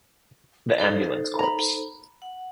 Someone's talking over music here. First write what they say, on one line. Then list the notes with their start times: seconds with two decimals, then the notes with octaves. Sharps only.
The Ambulance Corps.
0.78 D#4 A4 C5
1.39 A#5 B5
2.22 F#5